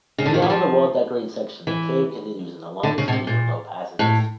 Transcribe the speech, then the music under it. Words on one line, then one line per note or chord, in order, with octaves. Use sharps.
Beyond the well-decorated section the cave continues in a long series of low passages.
C#3
D3
D#3
E3
F3
E3
D3
C#3
B2
C3
A#2
A2